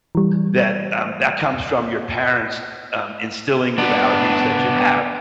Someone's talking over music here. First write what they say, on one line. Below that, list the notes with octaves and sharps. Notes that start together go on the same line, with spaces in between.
that um, that comes from your parents, um, instilling the values that you have,
E3 G3
B3 D4